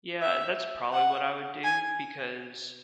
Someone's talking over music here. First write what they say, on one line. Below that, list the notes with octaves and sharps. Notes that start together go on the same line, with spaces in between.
Yeah, that's probably what I would do because,
E5
F#5
G#5